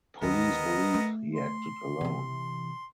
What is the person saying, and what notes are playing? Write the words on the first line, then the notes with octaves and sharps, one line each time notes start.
Police believe he acted alone.
D#2 D3 B3 A#4 D#5
A3
C6
C3 E3